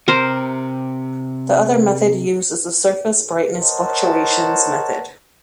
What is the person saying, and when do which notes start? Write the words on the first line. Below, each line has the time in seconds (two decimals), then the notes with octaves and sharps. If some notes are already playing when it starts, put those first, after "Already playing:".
The other method used is the surface brightness fluctuations method.
0.08 C3 A#4 C5
3.60 A#4 C5 C#5 D#5 F#5 A5